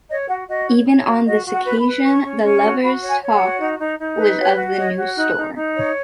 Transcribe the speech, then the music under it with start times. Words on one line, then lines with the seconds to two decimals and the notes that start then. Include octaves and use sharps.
Even on this occasion the lovers' talk was of the new store.
0.09 C#5 D#5
0.28 F#4 F#5
0.48 F#4 D#5
0.68 C#5
0.86 C#5
1.06 F#4
1.26 F#4 D#5
1.45 F#4
1.52 F#5
1.65 B4
1.78 B5
1.85 B4
2.03 C#4 C#6
2.24 C#4
2.42 C#4
2.62 F#4
2.81 F#4 B5
3.02 C#5
3.07 G#5
3.21 C#5
3.33 F#5
3.41 F#4
3.59 D#4
3.79 D#4
3.99 D#4
4.19 B4
4.38 F#4 C#5
4.57 F#4
4.76 C#5 D#5
4.97 F#4
5.16 D#4 F#6
5.35 D#4
5.55 D#4
5.75 C#5